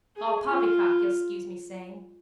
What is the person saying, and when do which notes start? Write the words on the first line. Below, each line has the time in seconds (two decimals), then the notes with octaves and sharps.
All poppycock, you'll scuse me saying.
0.16 G#4
0.48 F4